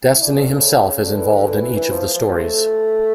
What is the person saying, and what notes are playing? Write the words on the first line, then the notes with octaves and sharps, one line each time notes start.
Destiny himself is involved in each of the stories.
E4
D4
F3
D3
C#3
D3
E3
D3
E3
E3
E3
F3
F3
E3
F3
A3